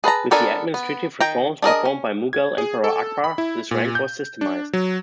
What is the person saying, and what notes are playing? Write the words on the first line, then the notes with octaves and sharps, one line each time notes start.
With the administrative reforms performed by Mughal emperor Akbar, this rank was systemised.
G#4 B4 A5 A#5
B3 D4 A4 A#4 G#5
B3
D#3 G5 A#5
D4 G#4 A#4 D#5
C#4
G#6
G#4
A4
B5
E4
A#2
G6
D4
F#3